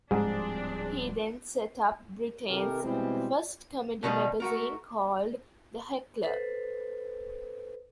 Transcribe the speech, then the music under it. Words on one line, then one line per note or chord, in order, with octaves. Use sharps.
He then set up Britain's first comedy magazine called "The Heckler".
D1 G#2 F3 G3 G#3 C4 D4
C3 D#3 E3 G4 A4 A#4
B2 E3 G3 G#3 C4
B2 D#3 G3 D#4
A3 F#4 A#4
A4 B4 C5